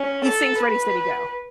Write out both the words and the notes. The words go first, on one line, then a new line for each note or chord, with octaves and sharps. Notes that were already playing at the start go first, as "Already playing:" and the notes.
he sings "Ready Steady Go!"
Already playing: C#4
A4
B4